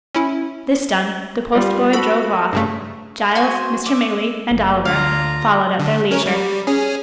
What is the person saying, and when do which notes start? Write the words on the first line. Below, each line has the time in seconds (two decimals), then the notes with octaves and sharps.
This done, the postboy drove off; Giles, Mr. Maylie, and Oliver, followed at their leisure.
0.15 C#4 E4
1.54 G3 F4
1.93 F#4 A4 B5
2.53 G2 C#3 A3
3.35 F#4 C5 G#5
3.86 E5 D6
4.51 F#1
4.85 D2 D3 F4 F5 A#5
5.79 D3
6.11 C#4 A#4 C#5
6.26 G3
6.67 C#4 G#4